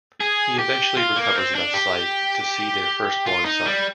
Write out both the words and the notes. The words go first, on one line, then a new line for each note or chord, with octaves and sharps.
He eventually recovers enough sight to see their firstborn son.
G#4
G4
F4
A#3
C4
D4
G4
F4
D#4
G3